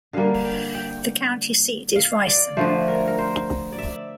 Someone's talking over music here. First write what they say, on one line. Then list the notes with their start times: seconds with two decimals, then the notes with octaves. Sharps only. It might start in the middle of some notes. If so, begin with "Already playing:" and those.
The county seat is Rison.
0.13 D3 G3 A#3 F5
0.44 G5
0.75 G5
1.96 F5
2.27 D5
2.57 D3 F3 A3 C5
2.88 A#4
3.07 A#4
3.19 C5
3.72 D5
3.78 E5